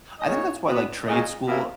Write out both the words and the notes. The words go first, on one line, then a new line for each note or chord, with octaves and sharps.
I think that's why, like, trade school
D#5
A#2 G#3 D#4 C#5
B2 F#3 B3
A#2 G#3 C#4 D#5
B2 A#3 E4